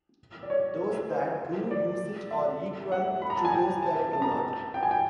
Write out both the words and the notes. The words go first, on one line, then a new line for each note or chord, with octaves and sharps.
Those that do use it are equal to those that do not.
D5
C#5
C5
D5
E5
F#5
B5
A#5
A5
G#5
G5
A5
A5
A#5
A5
G5
G#5
G5